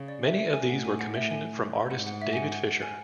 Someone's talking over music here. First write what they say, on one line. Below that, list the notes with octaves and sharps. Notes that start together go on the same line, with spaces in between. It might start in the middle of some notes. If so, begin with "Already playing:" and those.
Many of these were commissioned from artist David Fisher.
Already playing: C#3
D5
E5
E5
G#5
A2 F#5
G#5
F#5
E5
G#5
G#2 F#5
F#5
E5
G#5
F#5
F#5
G#5